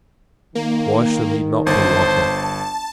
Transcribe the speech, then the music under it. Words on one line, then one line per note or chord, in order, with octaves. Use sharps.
Why should he not be like him?
D#3 A#3
G1 C5 A5